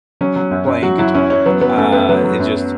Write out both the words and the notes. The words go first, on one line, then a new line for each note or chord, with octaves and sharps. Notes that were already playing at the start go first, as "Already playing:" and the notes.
playing guitar. Uh, it just
F#3 C#4
F#3
F#2
F#2
F#3 F#4
F#3 E4
F#2 C#4
F#2 C#4
F#3 B3
F#3 B3
F#2 A3
F#2 B3
F#3 B3
F#3
F#2